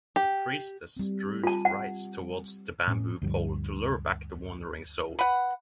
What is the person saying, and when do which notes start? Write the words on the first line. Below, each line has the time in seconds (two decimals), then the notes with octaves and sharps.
The priestess strews rice towards the bamboo pole to lure back the wandering soul.
0.16 G4
0.97 G3 C4
1.44 F4 A5
1.65 F#5
2.87 A2 C#4
3.22 D2 G2 F3
5.19 B4 F#5